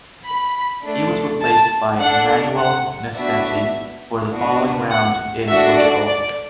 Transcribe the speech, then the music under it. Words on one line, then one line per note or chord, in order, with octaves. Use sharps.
He was replaced by Emanuele Naspetti for the following round in Portugal.
B5
A3 D4 A4
A5
D4 A4 F#5
F#5
B3 D4 F#4 E5
B3 D4 F#4
F#5
D4 F#4 A4 E5
D5
D5